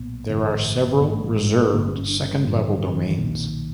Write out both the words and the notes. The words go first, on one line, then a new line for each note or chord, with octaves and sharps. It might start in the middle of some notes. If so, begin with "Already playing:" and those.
There are several reserved second-level domains.
Already playing: B1 A#2 B3
A1 G2 D3 C4
A1 G#2 B3
A3
G#3
G#3
G1 G2 D3 A#3
C#4
C#4
D4
C#4
G#3
A1 G2 D3 G3
F#3
G3
F#3
D#3
E3
B1 A#2 D#3